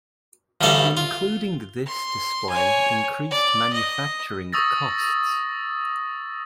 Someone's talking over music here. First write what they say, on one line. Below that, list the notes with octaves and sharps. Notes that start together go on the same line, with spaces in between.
Including this display increased manufacturing costs.
A1 D2 G2 G3 A4 F5
F4
C6
C#5 G#5
D5
D#5
C#6 D#6 E6 A6 A#6